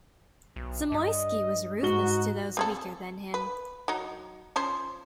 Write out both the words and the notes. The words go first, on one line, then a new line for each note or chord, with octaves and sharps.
Zamoyski was ruthless to those weaker than him.
B1
G2 D#5
G#2 D#4 F#4 G7
C4 G#4 A4
B4
F#3 D#4
F3 C#4 C5